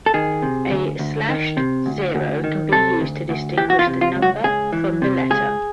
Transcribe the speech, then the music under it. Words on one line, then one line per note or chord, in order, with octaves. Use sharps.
A slashed zero can be used to distinguish the number from the letter.
A4
D#3 G#4
C3
D2
D2
D#3
C3
D2
D2
D#3
C3 A4
D2
D2
E3 G4
F#4
F4
C3
F4
C#2
F#4
C#2 G#4
E3
C3
C#2 G#4